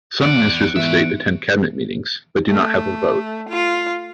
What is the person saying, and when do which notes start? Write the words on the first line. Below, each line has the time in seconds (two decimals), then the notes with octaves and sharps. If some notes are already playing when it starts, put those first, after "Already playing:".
Some Ministers of State attend cabinet meetings but do not have a vote.
0.21 E2 D5 F#6 C#7 D7
0.76 E2 G#2 E5
2.49 A3
3.49 F4